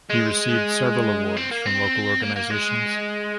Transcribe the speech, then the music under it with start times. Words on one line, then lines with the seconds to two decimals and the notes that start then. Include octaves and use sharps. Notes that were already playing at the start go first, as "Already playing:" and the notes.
He received several awards from local organizations.
0.10 G#3
1.37 C4
1.51 A#3
1.66 C4
2.22 A#3
2.36 A#3
2.51 G#3